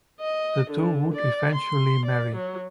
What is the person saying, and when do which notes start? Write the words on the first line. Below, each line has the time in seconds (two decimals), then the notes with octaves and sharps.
The two would eventually marry.
0.21 D#5
0.70 D3
1.14 D5
1.55 C6
2.06 D5
2.35 F#3